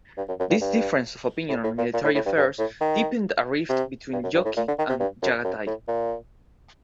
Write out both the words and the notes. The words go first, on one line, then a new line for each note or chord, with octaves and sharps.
This difference of opinion on military affairs deepened a rift between Jochi and Chagatai.
G2
F#2
F#2
G2
G2
A2
A2
A#2
A#2
A2
A2
G2
G2
A2
D#3
C3
G2
F#2
G2
A2
A#2
D3
D#3
C3
G2
F#2
F#2
A2
A#2